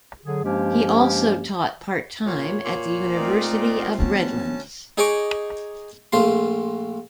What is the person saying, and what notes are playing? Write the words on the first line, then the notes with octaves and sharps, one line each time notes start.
He also taught part-time at the University of Redlands.
D3 F#3 G#4
G2 F3 G#3 A#3 C#4 G4
A#2 C#5
A#2
A3 C4 D#4 A#4 D5
D2 F3 B3 C#4 A5
D#4 G#4 C#5 D#5 C#6 D6
A#1 A3 F4 C6